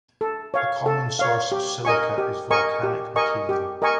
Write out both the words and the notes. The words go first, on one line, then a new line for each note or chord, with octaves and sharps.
A common source of silica is volcanic material.
A4
C#5 F5
A4
C#5 F5
G4
A#4 D#5 G#5 C#6
G4
A#4 D#5 G#5 C#6
G4
A#4 D#5 G#5 C#6
G4
A#4 D#5 G#5 C#6